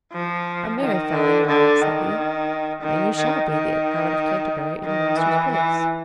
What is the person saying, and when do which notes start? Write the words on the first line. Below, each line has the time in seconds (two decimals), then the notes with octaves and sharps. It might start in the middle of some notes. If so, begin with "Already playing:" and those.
"A merry fellow you are," said he, "and you shall be the Abbot of Canterbury in your master's place."
0.13 F3
0.80 D#3
1.14 D3
1.48 D3
1.81 D#3
2.82 D#3
3.16 D#3
3.50 D#3
4.84 D#3
5.17 E3
5.52 E3